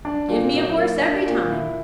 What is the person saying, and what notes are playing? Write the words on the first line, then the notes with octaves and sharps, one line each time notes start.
Give me a horse every time.
D4
A#2
F#3
A#3
D4
A#2
E4